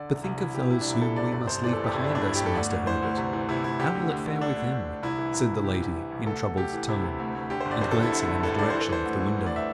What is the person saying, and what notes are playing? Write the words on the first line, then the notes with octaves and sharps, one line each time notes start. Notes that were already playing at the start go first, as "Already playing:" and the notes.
'But think of those whom we must leave behind us, master Herbert. How will it fare with them?' said the lady in troubled tone, and glancing in the direction of the window.
Already playing: D3 D5
C2
C2
C2 E4
E3 G4
C3 E4
D4
C2
E4
C2 A4
C3 D5
G1 D5
G1 C5
E3 D5
A4
G2
G4
G2 E4
D4
G1
D4
G1 E4
G4
G1
A4
D2 D5
D2
E3 C5
D2
C3
E3
C3 E4
D2 E4
D3 G4
D2
D2
D3
D3 D4
D2
D2
D2
C2 E4
E3
C2
C2
C2 G4
C2
E3
C2
D2 A4
D2
D2 G4
E3
C3 E4
C3
D2
D2
D3 G4
C5
G1
D5
G2 C5
A4
G1
E4
D3
G2
G2 A4
G2 D5
E3 C5
A4
E3 C5
D2
D2
D2
D5
E5